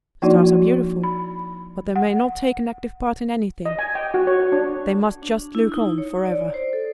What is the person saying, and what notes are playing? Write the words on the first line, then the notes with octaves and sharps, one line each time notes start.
Stars are beautiful, but they may not take an active part in anything, they must just look on for ever.
F3 A#3 D#4 E4 F#4 D5
B5
F#5
D#5
G#5
G5
F#4
C#5
C#5
D4
D4
E4
D#4
C#5
D5
C5
A4